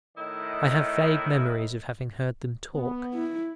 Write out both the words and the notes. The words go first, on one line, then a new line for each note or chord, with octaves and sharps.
I have vague memories of having heard them talk.
A2 D#3 E4 D#5
B3
E4